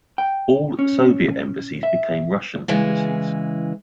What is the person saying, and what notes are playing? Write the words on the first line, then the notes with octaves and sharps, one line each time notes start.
All Soviet embassies became Russian embassies.
G5
C#4
E5
C#3 E3 G#3